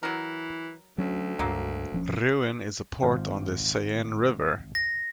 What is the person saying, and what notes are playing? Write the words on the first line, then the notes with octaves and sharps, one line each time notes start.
Rouen is a port on the Seine river.
E3 F#3 A#4
D2 F#3 C#4
C#2 G2 F#3 A#3
D#1 F3 C#4
G#1 F4 C5
A#6